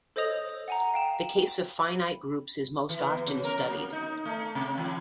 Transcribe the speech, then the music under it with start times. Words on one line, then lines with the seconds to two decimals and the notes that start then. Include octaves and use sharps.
The case of finite groups is most often studied.
0.16 A4 C5 C#5 D#5 D#6 F7
0.68 F#5 G#5 A#5
0.94 F5 G5 E7
1.82 B5
2.89 E3
3.10 E2
3.27 C#3
3.44 A#4
3.58 F#3
3.70 A#3
3.93 D#4
4.25 A3
4.55 C3
4.78 E3